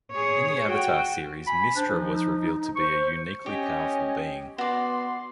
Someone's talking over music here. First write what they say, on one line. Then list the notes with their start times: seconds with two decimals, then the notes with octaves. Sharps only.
In the Avatar Series Mystra was revealed to be a uniquely powerful being.
0.12 G#4 C#5
0.67 F#4 G5
1.47 G#5 B5
1.76 D4 C5
1.90 F3 D#4
2.76 C5 C#6
3.46 C#4 G4 D#5 G#5
4.58 B3 F#4 D5 C6